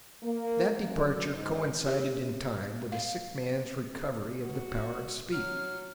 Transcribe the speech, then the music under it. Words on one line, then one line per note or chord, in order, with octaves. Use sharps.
That departure coincided in time with the sick man's recovery of the power of speech.
A#3
F#2
G#2
G4
F5
F#4
F#3 F6